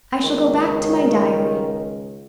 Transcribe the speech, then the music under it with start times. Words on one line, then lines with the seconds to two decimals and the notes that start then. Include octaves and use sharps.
I shall go back to my Diary.
0.23 C#2 D#3